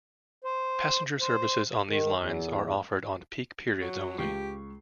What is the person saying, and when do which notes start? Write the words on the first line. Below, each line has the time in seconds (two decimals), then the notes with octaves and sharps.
Passenger services on these lines are offered on peak periods only.
0.44 C5
1.21 C5
1.88 D#3
2.16 E2
3.81 F#3
4.19 C#2 G4 C#6 C7